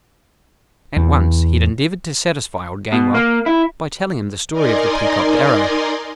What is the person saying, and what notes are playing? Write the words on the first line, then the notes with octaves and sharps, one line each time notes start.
At once he had endeavored to satisfy old Gamewell by telling him the story of the peacocked arrow.
E2
B2
A#3
E4
D#4 A#4 D5 D#5 G#5 C6